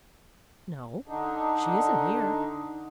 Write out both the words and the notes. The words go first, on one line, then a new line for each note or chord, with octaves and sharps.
"No; she isn't here."
D3 D4 D#4